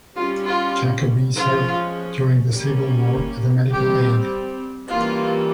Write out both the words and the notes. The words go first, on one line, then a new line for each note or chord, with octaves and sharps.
Jacobi served during the Civil War as a medical aide.
G3 C#4 F4
F4
F3 G#3 C#4 F4
G3 A#3 C#4
G3 C4 G4
E3 G3 A#3 C#4 F4